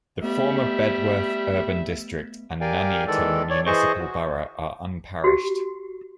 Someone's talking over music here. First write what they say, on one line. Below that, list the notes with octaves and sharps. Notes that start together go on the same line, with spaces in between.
The former Bedworth Urban District and Nuneaton Municipal Borough are unparished.
G3 A3 B3 E5
G4 A#4 D5 F5 G5 G#5
D#3 E3 G#3 A4 D5
C#5 D5
E3 G#4 C5 D#5 C#6
F#4
F#4 G4